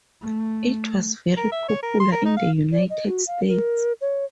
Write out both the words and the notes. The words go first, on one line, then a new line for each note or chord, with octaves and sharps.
It was very popular in the United States.
A3
A#4
E5
C#5
A#4
C6
A#4
D#4
F5
D5
D#5
F#4
F5
A#4
C#5